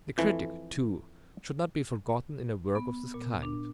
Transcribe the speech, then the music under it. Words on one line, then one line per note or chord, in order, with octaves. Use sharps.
The critic, too, should not be forgotten in a work of this kind.
F2 E3 A3
B3
A#2
D4